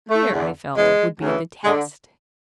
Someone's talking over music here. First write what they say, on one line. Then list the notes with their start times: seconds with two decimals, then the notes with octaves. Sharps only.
Here, I felt, would be the test.
0.09 A3
0.31 E2 D3
0.75 E2 C#3 E3 G#3
1.20 D2 C#3 E3
1.65 D3 G#3